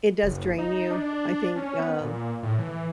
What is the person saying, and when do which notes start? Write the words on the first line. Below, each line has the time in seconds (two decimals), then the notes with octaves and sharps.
It does drain you, I think, um,
0.23 F#1
0.58 D#4
0.90 D4
1.56 C#4
1.79 B3
2.01 A#2
2.43 A2
2.59 E3